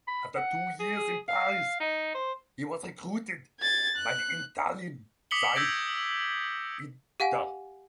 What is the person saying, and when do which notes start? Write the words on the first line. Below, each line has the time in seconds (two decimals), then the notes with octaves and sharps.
After two years in Paris he was recruited by the Italian side Inter.
0.08 B5
0.36 F#5
0.80 G#4
1.29 F5
1.80 D#4
2.15 C5
3.60 G#6 A6
3.96 F#6
5.31 D6 D#6 B6 C#7 F#7 G7
5.55 E6 G6 G#6 A#6 D7
7.20 G4 F5 F#5 G#5